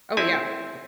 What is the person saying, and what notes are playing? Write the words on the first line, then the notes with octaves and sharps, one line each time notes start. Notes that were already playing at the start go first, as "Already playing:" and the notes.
Oh yeah.
C4 E4 G#5